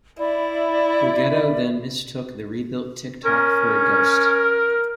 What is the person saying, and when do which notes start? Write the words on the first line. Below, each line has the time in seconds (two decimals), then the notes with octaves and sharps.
Ruggedo then mistook the rebuilt Tik-Tok for a ghost.
0.18 E4 D5 E5 B5
3.25 C#4 A#4